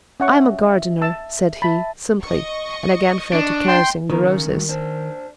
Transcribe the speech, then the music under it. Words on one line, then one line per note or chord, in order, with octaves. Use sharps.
"I am a gardener," said he, simply, and again fell to caressing the roses.
C#4 D#5 E5 F#5 C#6
A5 E6
E5 A5 B5 A6
D#5 C#6
D4
G5 C6
D#3 B3 A#4
C#3 C#4
A2 G3 F#4
D4 C5